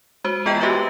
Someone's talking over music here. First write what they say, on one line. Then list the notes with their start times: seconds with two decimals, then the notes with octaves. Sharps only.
You know?
0.24 G#3 F#4 C5
0.46 B3 F4 G#4 D#5 G5 G6
0.61 F#4 G4 B4 D#5 E5